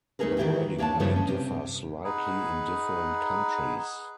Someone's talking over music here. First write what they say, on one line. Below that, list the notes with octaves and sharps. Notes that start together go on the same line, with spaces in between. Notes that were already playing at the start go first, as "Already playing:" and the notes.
The wording may differ slightly in different countries.
A3 C4 D#4 G#4 A#4 B4
D#3 E3 G3 E4 F#4 G4
A#3 D4 C#5 E5 F#5 A5
G2 C#3 F3 E4 C5 C#5
C#4
C3
D#4 G#4 B4 F#5